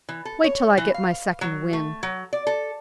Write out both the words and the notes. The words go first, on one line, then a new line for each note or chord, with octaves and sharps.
"Wait till I get my second wind."
E3
A4
C#5
E3
F5
F#3
A3
F#3
D5
A4